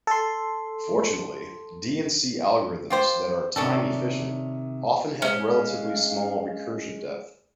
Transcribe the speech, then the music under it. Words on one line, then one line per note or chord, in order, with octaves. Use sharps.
Fortunately, D and C algorithms that are time-efficient often have relatively small recursion depth.
A4 C6
F4 G4 C5
C3 D#3 C#4 D4 A4
G#3 C#4 F5